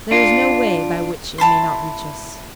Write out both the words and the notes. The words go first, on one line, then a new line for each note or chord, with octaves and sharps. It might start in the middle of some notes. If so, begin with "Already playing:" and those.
There is no way by which it may not reach us.
D4 F4
E4 A5 B5 C6